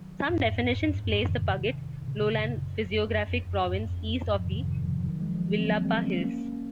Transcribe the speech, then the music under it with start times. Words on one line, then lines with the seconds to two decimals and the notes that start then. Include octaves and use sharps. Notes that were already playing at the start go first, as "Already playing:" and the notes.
Some definitions place the Puget Lowland physiographic province east of the Willapa Hills.
Already playing: D#3 F#3
0.29 F2 G#2
0.89 F#2
1.08 F2 G#2
1.29 C3 D#3
2.08 A#2 C#3
2.38 F#2
2.67 F#2
2.87 F2
3.07 F#2
3.26 F2
3.66 F2 G#2
3.86 F2
4.06 F#2
4.26 F2 G#2
4.39 F3
4.45 C3 D#3
4.65 C3 D#3
4.85 C#3 F3
5.05 D#3 F#3
5.21 F3 G#3
5.34 F3 G#3
5.50 F3 G#3
5.58 C4
5.64 F#3 A#3
5.85 G#3 C4
6.04 A#3 C#4
6.24 A#3 C#4